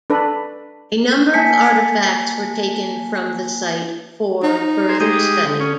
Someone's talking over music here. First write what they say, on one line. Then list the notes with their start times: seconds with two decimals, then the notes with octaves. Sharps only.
A number of artifacts were taken from the site for further study.
0.10 D4 A4 B4
1.34 A#3 G#5 A5 B6 C#7
4.43 D#4
4.89 G#4 C5
5.00 G#3 G4 D#6
5.44 D3
5.60 C#4